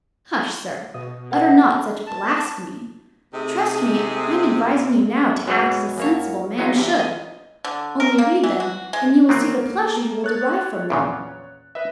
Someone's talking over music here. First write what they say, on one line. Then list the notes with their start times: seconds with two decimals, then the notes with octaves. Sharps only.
Hush, sir; utter not such blasphemy; trust me I am advising you now to act as a sensible man should; only read them, and you will see the pleasure you will derive from them.
0.94 B2 D#5
1.31 A#4 F#5
2.07 A5
3.34 C3 A3 D#4 G#4
5.46 B1 F#2 F#3 G#3 B3 C#5
5.98 F#2 A#3 C#5
6.58 E3 F#3 G#3 D4 D#4 F4
6.75 E2 G2 C3 E4 G4 A#5
6.99 D#5
7.65 D3
8.00 A#4
8.18 A#3
8.44 E3
8.60 F#4
8.93 G#3
9.29 D#3 E3 A#3 C4
10.24 C#5 F#6 A6
10.90 E2 A#2 C#3
11.75 B4 D#5 E5